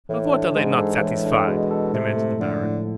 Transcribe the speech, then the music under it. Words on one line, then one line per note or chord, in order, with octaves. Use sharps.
"Of what are they not satisfied?" demanded the Baron.
A2 E3
D4
G#2 G#3
A4
G#2
A2 E3
D4
B2 G#3
A4
A2 C3
A3
D3 F3
A2